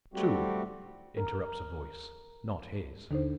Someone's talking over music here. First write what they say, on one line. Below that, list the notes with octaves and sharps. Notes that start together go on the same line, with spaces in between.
"Two!" interrupts a voice--not his.
G3 A3 C4 F#4 G4
A#4
D#2 D3 D#4 C5